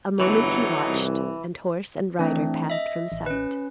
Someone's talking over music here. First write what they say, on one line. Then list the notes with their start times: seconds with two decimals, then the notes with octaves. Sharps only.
A moment he watched, and horse and rider passed from sight.
0.20 G1 A2 E3 F#3 D#4
0.87 C2
2.19 E3 A3 C4 D4
2.70 D#5 E5
3.12 A1
3.26 C#4 B4